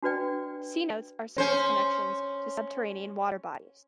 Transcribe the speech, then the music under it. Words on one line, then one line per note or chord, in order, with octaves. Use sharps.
Cenotes are surface connections to subterranean water bodies.
D4 F#4 B4 D5 G5
C#4 C5